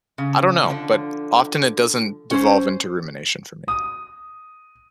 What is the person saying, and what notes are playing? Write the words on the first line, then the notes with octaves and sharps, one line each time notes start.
I don't know, but often, it doesn't devolve into rumination for me.
C#3
D3 F3
C#4 C5
D#6